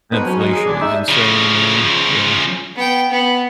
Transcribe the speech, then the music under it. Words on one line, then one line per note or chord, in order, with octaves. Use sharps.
Inflation is insane, man, yeah.
F2 B3 D#4 B4
F#3 C#4
G#3 A#3 D#4
G#4
D#2 D4
D#4 E5
C#3 F3
B3 G5
B3